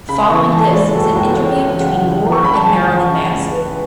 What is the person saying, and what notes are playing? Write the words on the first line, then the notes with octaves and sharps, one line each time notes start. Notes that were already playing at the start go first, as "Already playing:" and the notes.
Following this is an interview between Moore and Marilyn Manson.
C#3 B5
E3 C#6
E3 A5
G#3 D5
C#2 A4
C#2 F#4
E3 C#5
E3
C#3 F#5
E3
E3
C#6
E3 B5
A5
G#3 G#5
E3
C#3
C#2
B4